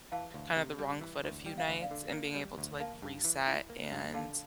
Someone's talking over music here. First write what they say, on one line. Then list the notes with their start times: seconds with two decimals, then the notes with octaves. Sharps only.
kind of the wrong foot a few nights and being able to, like, reset and
0.12 E3 F5 A5
0.34 D2
0.57 C3
0.79 G3
1.01 E3
1.24 D2
1.46 G3 G5
1.58 F5
1.68 D2 E5
1.81 D5 F5
1.91 D3
2.13 A#3
2.35 G3
2.58 D2
2.80 A#3 F5 A5
3.02 G2
3.24 E3
3.48 E4
3.70 A#3
3.92 G2
4.14 D3 F5 A5